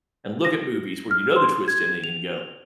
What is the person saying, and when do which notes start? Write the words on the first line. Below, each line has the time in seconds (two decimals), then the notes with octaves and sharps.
and look at movies where you know the twist ending and go
0.45 A#6
1.11 F6
1.36 C6
1.68 G#6
2.04 F7